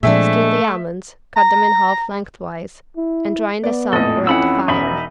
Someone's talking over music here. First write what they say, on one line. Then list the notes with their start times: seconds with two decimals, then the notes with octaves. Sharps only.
Skin the almonds, cut them in half lengthwise and dry in the sun or at the fire.
0.03 A#2 F3 G#3 A3 C4 D4 E5
1.36 A#5
2.97 E4
3.64 B3 D5
3.93 A#1 F2 A2 A4 D#5
4.27 F2 E3 C#4 F#5 B5 E6
4.68 E1 D#4 E5 B5